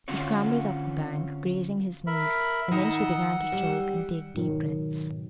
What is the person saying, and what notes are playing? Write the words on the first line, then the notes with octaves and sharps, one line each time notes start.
He scrambled up the bank, grazing his knees, and then she began to choke and take deep breaths.
D3 C4 C#4 F4 F#4 C#5
A#4 E5 B5
D#3 D#5 F#5 A#5 E6
G3
G#2 B2 D#3 F#3